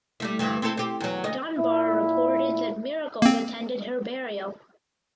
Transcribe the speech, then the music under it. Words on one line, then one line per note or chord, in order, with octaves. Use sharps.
Dunbar reported that "miracles attended her burial".
G3 A3 E4
D2 G2 E3
C4 E4 A4
C4 G4
E2 F#3
D2 D#5
A#2 E4
A#3 C4